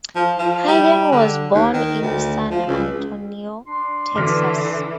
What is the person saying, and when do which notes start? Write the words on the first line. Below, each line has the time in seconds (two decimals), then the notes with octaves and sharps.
Hayden was born in San Antonio, Texas.
0.15 F3
0.38 F3
0.68 G3
1.11 D3
1.54 D#2
1.73 D#3
2.02 D2
2.50 F3
2.67 C#2
3.67 D4 C6
4.15 D3 E3 D6 F6 B6